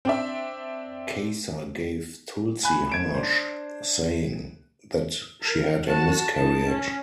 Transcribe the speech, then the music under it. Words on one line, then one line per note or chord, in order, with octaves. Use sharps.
Kesar gave Tulsi Harsh, saying that she had a miscarriage.
C4 D4 E5
G#5 B5 F#6
G#6 D7 E7
D4 C5
A#4
F#4 A5
D#4 A5
C#4